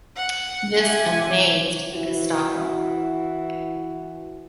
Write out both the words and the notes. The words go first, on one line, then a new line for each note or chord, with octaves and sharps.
This amazed the Gestapo.
F#5
G4 E5 G#5
E3 E4 F#4